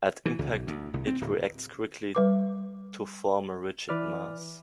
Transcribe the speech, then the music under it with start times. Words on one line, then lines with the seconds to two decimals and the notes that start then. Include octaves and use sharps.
At impact it reacts quickly to form a rigid mass.
0.26 E3
0.39 C#2
0.53 B1
0.67 D2
0.94 C2
1.07 C4
1.21 D1
2.15 G3 B4 D6
3.89 E3 B4 D5 F6